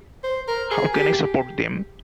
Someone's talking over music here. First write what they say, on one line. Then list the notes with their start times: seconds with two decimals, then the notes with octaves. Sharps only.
How can I support them?
0.24 C5
0.48 A#4
0.71 G#4
0.94 G4